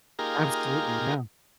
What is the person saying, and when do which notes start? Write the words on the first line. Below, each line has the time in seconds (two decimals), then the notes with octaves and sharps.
Absolutely, yeah.
0.19 A#3 D#4 F4 G4 G#4 A#4